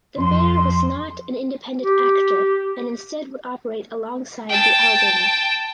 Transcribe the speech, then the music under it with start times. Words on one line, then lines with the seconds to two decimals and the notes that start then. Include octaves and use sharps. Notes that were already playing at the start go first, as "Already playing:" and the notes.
The Mayor was not an independent actor and instead would operate alongside the Alderman.
0.17 F2 C6
1.81 G4
4.49 G5 A5